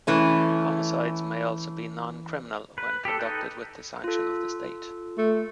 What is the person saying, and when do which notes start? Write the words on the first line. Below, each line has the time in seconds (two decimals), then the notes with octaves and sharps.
Homicides may also be non-criminal when conducted with the sanction of the state.
0.07 E3 A3 C#4
2.78 B4
3.05 G4 A4
3.19 D#4 A4 B4 G5
4.04 F4 A4
5.18 A3